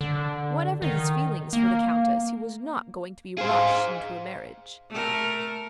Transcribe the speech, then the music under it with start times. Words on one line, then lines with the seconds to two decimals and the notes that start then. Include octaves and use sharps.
Whatever his feelings for the Countess, he was not going to be rushed into a marriage.
0.01 D3
0.82 D#3
1.53 A#3
3.38 G#4 C5 F5
4.90 A3 A4 A#4